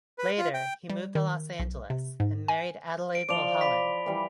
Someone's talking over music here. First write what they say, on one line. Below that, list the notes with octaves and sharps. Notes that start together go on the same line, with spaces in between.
Later, he moved to Los Angeles and married Adelaide Mulholland.
B4
F4
G5
G3
D#3
B1
C3
G#2
G#5
D7
F3 D5 D7 F7 G7
B5 B6
E3 G3